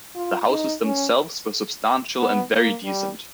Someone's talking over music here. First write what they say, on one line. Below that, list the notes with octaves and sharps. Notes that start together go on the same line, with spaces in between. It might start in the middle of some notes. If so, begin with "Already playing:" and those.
The houses themselves were substantial and very decent.
F4
D#4
C#4
B3
A#3
G3